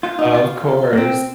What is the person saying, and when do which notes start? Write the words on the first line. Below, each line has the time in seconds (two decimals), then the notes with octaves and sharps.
of course.
0.03 F4
0.19 D#4
0.34 F4
0.93 A#3
0.97 C4